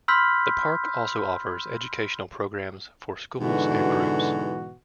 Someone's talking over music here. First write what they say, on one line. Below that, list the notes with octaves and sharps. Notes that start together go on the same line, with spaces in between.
The park also offers educational programs for schools and groups.
B5 C6 E6 F6 G6 B6
G#2 B2 D3 E3 F#4